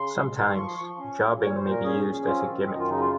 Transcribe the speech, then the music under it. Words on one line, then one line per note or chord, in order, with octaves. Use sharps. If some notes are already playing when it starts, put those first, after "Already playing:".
Sometimes, jobbing may be used as a gimmick.
Already playing: C#3 C6
G#3
D#3
F3 C#6
C6
F3 C#6
C#4
F#3
A#2 C#5
C5
A#2
A#4
C#4 G#4
C#4
C4 F4
D#3
F#2 D#4
F4
C#3 D#4
F4